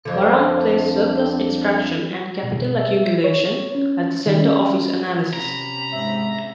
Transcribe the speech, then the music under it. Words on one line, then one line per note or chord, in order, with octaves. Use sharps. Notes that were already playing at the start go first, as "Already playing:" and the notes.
Baran placed surplus extraction and capital accumulation at the center of his analysis.
F2 D3
B2
E5
C#5
C#4
D#3
C#4
C3 C#4 A#5 B5
G#2 E5